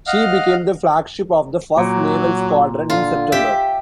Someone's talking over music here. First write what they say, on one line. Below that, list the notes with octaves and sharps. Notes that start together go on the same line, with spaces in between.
She became the flagship of the First Naval Squadron in September.
D#5 F5 F#5 F6
A#2 F#3
D3 F4
G4 E5 G5